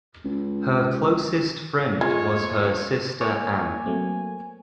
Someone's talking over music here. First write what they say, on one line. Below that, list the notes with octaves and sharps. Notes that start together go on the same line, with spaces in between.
Her closest friend was her sister Anne.
C#2
F2 A#2 G#3 A3 F4 C#5 G#6
A#3 C#5 G#5 D6
F#3 A3 C4